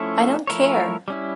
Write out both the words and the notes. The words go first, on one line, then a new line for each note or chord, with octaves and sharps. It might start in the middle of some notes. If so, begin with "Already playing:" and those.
I don't care!
Already playing: F3 A3 C#4 E4 A4
F3 A3 E4 A#4 C#5
G3 C#4 E4